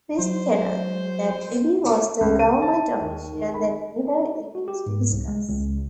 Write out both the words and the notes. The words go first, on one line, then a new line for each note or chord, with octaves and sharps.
Fitzgerald knew that Libby was the government official that Miller refused to discuss.
F#3 C5
C#2
D#7
A5
D#2
D#3
B5
F#4
G4
G#2
C2
G#3
C#2